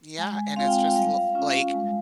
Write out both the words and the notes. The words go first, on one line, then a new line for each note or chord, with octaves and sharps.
Yeah, and it's just l like,
G#3 G#5
C4 F4 F5
G5
F5
G3 F5
C#4 F4
G#3